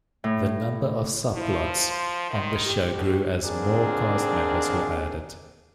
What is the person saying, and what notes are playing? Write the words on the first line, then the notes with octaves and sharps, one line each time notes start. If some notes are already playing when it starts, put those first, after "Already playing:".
The number of subplots on the show grew as more cast members were added.
A2
F3 E4
C6
D#3
G4
B2
D#2 D3 C4 D4 G#4 A#4